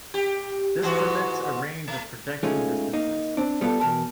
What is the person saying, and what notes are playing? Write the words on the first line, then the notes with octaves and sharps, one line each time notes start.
This permits a range of projection distances.
G4
G#2 E3 F#4
A3
G#3 A3 C#4 D#4 F4 G#4
A#3 D#4
C4 D4
G3 B3 F4 G4 A4
E2 B2 A#4 A5